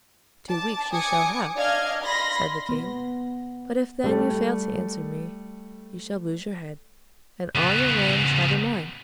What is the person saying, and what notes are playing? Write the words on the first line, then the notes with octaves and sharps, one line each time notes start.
"Two weeks you shall have," said the king; "but if then you fail to answer me, you shall lose your head, and all your lands shall be mine."
A5 D6
G#5 D6 D#6 C#7
D4 D5 D#5 F5 F6 G#6
B5 C6 A#6
B3
G3 A3 A4
C#3 B3